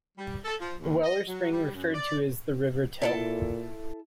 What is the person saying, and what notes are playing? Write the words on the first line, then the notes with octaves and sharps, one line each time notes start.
The well or spring referred to is the River Till.
G3
A4
F3
D#2
D#5
F#3
G3
F#2
D5
A#2 E4 A4 A5